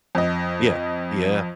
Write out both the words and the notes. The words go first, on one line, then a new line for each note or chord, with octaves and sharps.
Yeah, yeah.
F2 D#5